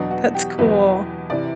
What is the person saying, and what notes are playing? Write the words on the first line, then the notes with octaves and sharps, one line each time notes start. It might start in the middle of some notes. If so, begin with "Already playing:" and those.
That's cool.
Already playing: E2 B2 F#3 D4
F#4
G4
E2 B2 F#3 B4
C3 E3 D5